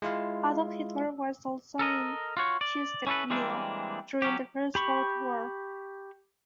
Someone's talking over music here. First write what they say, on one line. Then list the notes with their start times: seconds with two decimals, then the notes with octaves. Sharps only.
Adolf Hitler was also in Kyustendil during the First World War.
0.02 G#3 E4 F4 F5
1.79 A4 A#4 D#5
2.37 F4 F#4 C#5
2.61 D5
3.07 C#4 E4 G4 A4 B4
3.30 E3 G3 G#3 A#3 C4 D4
4.22 F#3 C#4 G4
4.75 G4 B5 C#6